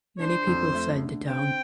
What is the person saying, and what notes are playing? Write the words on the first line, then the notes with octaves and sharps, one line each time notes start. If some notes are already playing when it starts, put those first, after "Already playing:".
Many people fled the town.
D4 C5
F2
A3
D3
C4 G5